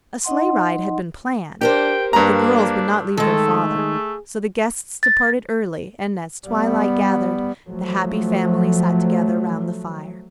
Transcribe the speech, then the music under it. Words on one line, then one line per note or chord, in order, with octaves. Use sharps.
A sleigh ride had been planned, but the girls would not leave their father, so the guests departed early, and as twilight gathered, the happy family sat together round the fire.
D#4 D#5 F#5 C6
D4 G4 A#4 C5 G5
G2 A#3 D4 A#5
D#3 G#3 A3 A4
G#4
A6
G3 B3
F3 F#3 A3